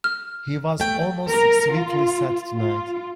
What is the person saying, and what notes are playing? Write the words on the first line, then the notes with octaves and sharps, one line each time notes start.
He was almost sweetly sad tonight.
F6
A3 G5
A#4
F4
F4